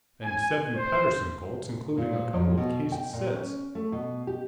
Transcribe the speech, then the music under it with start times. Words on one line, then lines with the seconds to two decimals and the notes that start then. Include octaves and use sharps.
And seven Paterson Colts, including a couple of cased sets.
0.24 G#5
0.77 C5
1.98 A#2
2.33 F2
2.58 B2
2.92 G5
3.13 A#2
3.34 C#4
3.75 A3
3.92 B2
4.27 G4